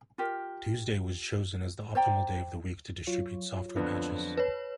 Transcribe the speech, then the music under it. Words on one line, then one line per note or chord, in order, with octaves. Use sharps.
Tuesday was chosen as the optimal day of the week to distribute software patches.
F4 G4 A#4
C5 D5 G5 A#5
F#3 F4 C#5
F2 D3 B3
B4 C#5